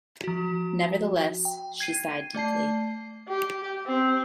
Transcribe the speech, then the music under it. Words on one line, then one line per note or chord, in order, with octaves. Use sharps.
Nevertheless, she sighed deeply.
F3 F#4
G5
G#6 C7 D#7
A3 D5 A5 C7
G4
C4